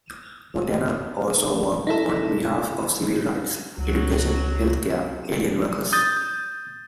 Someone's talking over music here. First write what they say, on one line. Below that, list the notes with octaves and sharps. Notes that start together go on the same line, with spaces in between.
Montoya also worked on behalf of civil rights, education, health care, alien workers.
D#4 E4 A4
C#2 F#3 F#4
D#6 G6 A6